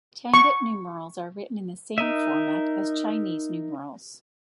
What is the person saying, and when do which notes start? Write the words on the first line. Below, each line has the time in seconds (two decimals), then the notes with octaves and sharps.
Tangut numerals are written in the same format as Chinese numerals.
0.34 C#6
1.98 D#4 A#4 D#5 E5